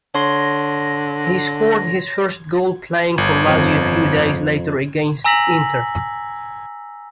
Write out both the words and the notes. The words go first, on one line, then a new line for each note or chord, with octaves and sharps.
He scored his first goal playing for Lazio a few days later against Inter.
D3 C#5 C6 A#6
G1
F2
G#5 A#5 E6 A#6 B6 F#7